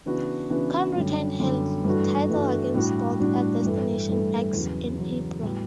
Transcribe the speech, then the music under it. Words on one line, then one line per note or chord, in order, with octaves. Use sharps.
Kong retained her title against Bolt at "Destination X" in April.
C#3 E3 B3 D4 F#4
C#3 E3 B3 D4 F#4
F#2 D3 G3
F#2 D3 G3
G2 E3 A3 D4 F#4
G2 E3 A3 D4 F#4
A2 G3 D4 F#4
A2 G3 D4 F#4
G2 E3 A3
G2 E3 A3
E2 C#3 F#3
E2 C#3 F#3
A2 G3 B3 F#4